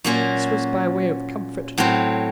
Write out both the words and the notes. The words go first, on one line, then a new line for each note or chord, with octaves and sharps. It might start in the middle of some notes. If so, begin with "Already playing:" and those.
This was by way of comfort.
A#2 F#3 A#3 C#4 F#4
A2 F#3 C4